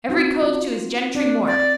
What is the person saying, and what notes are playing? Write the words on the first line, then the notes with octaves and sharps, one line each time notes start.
Every cove to his gentry mort.
C4 D#4 F#4
F4
C4 D4
D5